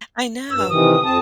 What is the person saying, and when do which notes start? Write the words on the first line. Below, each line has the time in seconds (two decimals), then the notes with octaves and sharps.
I know,
0.51 G2 E6
0.70 C3 D#3 E3 D#6
1.04 F2 C4 A5